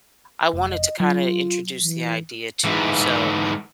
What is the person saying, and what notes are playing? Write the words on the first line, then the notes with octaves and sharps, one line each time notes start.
I wanted to kinda introduce the idea to you, so,
F1
D#5
F#3 F4
E3
G#2 E3